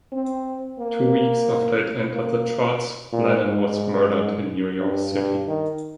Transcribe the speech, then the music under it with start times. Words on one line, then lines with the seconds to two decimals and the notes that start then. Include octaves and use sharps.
Two weeks after it entered the charts, Lennon was murdered in New York City.
0.12 C4
0.79 A#3
2.12 A#3
3.12 A#2
3.46 G#2
4.80 G2
5.13 G2
5.47 D#3